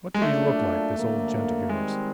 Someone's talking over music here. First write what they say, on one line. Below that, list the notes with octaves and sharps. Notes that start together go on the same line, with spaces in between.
'What did he look like,--this old gent of yours?'
G#3
F#3 A3 A#3 D4 F4
D3 F#3 A#3
D#3 G3 G#3 C4